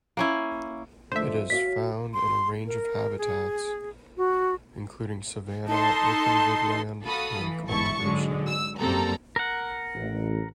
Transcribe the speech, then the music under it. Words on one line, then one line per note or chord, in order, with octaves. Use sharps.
It is found in a range of habitats including savanna, open woodland, and cultivation.
A#3 C#4 E4
F2 D3 A3 C5 E5
F#4 C#5 D#5 F5 B6
C6
A#4
G#4
F#4
D#4 A4 A5 C6
F#4 A4 F5 B5 D#6
E3
G1 E2 G#2 E4 A5 C#6
G#2 D3 F#3 G#3
E6
F#2 G3 A#3 C4 A4 A#5
A#4 F#5
A1